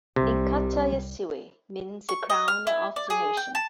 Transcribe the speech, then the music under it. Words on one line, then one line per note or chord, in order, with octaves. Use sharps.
"Inkatha YeSizwe" means "the crown of the nation".
C2 C3 G3
C#6
D#5
F6
E4
D5
G#4
G5
A5